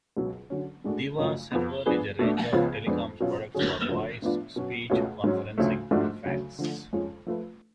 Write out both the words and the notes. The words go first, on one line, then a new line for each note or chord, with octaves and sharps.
Diva Server is a range of telecoms products for voice, speech, conferencing and fax.
C#2 B2 F#3
D3 F#3 C#4
A2 G#3 D4 F#4 A4
F#2 C#3 F3 A3 F4
F2 F3 B3
F3 B3 D4 G#4 B4
B2 A3 D4
C#2 C#3 F3 B3 F4
F2 F3 G#3 B3 D4
B2 F#3 C#4 F4
F#2 D3 F#3 C#4 G#4
D2 C#3 F3 A3
A2 F3 B3 D4 F4
B2 F#3 C#4 F#4
C#2 B2 A3 C#4 F4
G#2 F#3 C#4
D2 C#3 F3 A3
G#2 F3 A3 D4 F#4
D2 C#3 F#3
D3 F3 A3
F2 F3 G#3 C#4
F3 A3 F4 B4